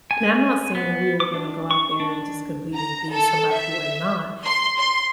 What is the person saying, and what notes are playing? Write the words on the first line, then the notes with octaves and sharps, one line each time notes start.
And I'm not saying we are gonna go out there and just completely be somebody who we're not,
G#5
B3
D6
D4
C#6
D4
A#5
A4
E5
C6
C6